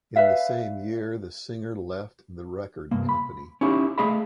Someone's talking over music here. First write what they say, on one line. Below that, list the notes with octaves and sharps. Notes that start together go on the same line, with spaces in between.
In the same year the singer left the record company.
B4 D5 E5 F5
C2 G2 A#3
B5
C#4 D#4 E4 G4 F5
A3 G#4 D#5 F5 B5